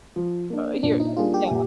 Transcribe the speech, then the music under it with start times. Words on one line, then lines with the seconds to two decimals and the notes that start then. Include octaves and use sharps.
Ah, here, yeah,
0.16 F3
0.50 A#3 D4
0.83 A#2 D4
1.00 D#4
1.17 G3 A#3 D4 F4 G#4
1.34 G4
1.51 A#2